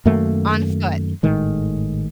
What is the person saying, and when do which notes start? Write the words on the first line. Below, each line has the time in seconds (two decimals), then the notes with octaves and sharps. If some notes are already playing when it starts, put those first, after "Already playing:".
On foot,
0.05 F#2 D#3 A3 A#3
1.23 G#1 A2 D#3 G#3